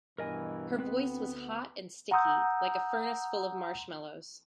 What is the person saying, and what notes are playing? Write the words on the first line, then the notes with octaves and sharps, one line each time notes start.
Her voice was hot and sticky--like a furnace full of marshmallows.
G2 B2 E3 A#4 D#5 G#5
D2 B3 C4 B4
F#5 A#5 C6 D#6 E6 G6